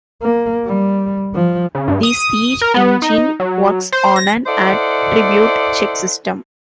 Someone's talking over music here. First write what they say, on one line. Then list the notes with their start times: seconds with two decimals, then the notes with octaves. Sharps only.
The Siege Engine works on an attribute check system.
0.22 A#3
0.66 G3
1.35 F3
1.75 C#3
1.88 G2
2.03 D#6
2.61 A#4
2.74 B3
3.02 D#4
3.40 F#3
3.92 C5
4.16 A#6
4.47 E4 A4 C5 D5 D#5 F#5